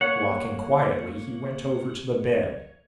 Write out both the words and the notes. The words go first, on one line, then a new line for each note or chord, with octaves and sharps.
Walking quietly, he went over to the bed.
A#3 C#5 F#5